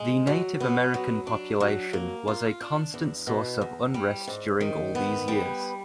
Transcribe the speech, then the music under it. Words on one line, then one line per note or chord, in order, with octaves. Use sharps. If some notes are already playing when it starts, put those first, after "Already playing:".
The Native American population was a constant source of unrest during all these years.
Already playing: G#3
F#3
B3
F#3
D4
F#3
A#3
F4
D4
E2
B2
E2
G3
G#2
D#3
B3
G3